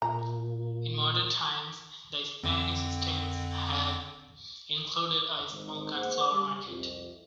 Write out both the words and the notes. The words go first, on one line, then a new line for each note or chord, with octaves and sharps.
In modern times the Spanish Steps have included a small cut-flower market.
A#2 A#5
F2 D3 C4
G#1
A#3 G#4 C5 F#5
G3
C2 F2